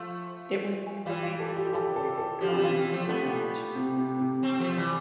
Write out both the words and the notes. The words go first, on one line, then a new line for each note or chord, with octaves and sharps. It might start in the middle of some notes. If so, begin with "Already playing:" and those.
It was one of the least populated communes in Manche.
Already playing: F3 A3 F4
E3 G3 F4
F4
A4
G4
G4
A4
A4
A4
D3 F3 G4
F4
E3 G3 G4
F4
E3 G3
F3 A3
G3 A3 B3
C3
C3
C3
A3 C4
F3 A3
E3 G3